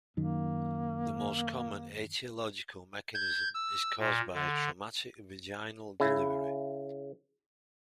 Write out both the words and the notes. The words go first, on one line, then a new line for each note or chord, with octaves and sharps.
The most common aetiological mechanism is caused by a traumatic vaginal delivery.
F#2 D#3 A#3
G6 G#6
E6
A#2
D3
C#3 E4